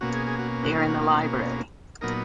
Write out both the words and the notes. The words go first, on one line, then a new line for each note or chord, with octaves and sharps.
They are in the library.
B2 A#3 C#4 F#4
G#4
G#4
F#4
F#4
F4
F#4
F4
A#2 F#3 B3 D#4 A#4